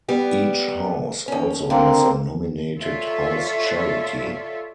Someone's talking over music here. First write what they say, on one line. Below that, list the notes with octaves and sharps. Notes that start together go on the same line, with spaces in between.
Each house also has a nominated house charity.
G3 B3 G4
D#2 C#4
D3 A#3 C4
F4 A4 C#5 D5 E5